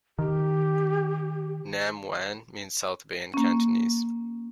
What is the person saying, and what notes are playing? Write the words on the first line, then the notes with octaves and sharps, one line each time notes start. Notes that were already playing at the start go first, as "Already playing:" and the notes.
"Nam Wan" means South Bay in Cantonese.
D#3 G4
A#3 C#4